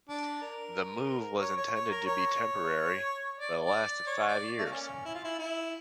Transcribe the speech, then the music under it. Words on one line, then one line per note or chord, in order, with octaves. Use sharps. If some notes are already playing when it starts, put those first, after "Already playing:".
The move was intended to be temporary, but lasted five years.
D4
A#4
C#5
C#5
C#5
A#4
C#5
D5
D5
C#5
D5
A3
A#3
C#4
E4
F4
E4
E4